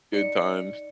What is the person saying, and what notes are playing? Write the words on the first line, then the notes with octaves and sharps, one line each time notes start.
Good times.
D#4 D5 C#7